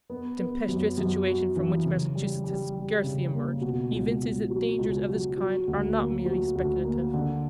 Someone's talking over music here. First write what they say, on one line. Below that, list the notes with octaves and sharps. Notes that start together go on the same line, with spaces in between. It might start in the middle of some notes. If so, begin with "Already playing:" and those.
The tempestuous situation from which Massachusetts has scarcely emerged, evinces that dangers of this kind are not merely speculative.
B3
B3
F#2
F#2
F#4
E3
C#3
G3
G3
G3
C#3
A#3
B2
C#2
C#2
F#3
C#2
F#3
F#3
D2
A#3
F#3
D2
A#3
D3